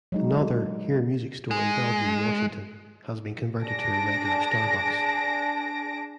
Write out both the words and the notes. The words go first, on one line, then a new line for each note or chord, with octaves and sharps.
Another Hear Music store in Bellevue, Washington has been converted to a regular Starbucks.
F#3 G#3 D#4
G#3
D4 G#4 A5 A#6 D7